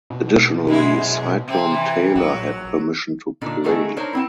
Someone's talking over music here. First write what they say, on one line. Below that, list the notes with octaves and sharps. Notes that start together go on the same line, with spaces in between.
Additionally, Cyclone Tayler had permission to play.
B2
F#2 G#3 E4
C3 C4
C3 E3
A#1 F#3
A#2 D3 D4 D#4
D3 A3 D#4 F#4 G#4 A4
D4 D#4 A#4 C5 C#5
B3 C4 E4